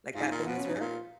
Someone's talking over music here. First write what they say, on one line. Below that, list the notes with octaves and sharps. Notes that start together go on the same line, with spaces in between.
like that famous river?
G#2 F4
D#4
A#2 F4
B2 B3
C#4
B2 D#4
G#2
A#2 F4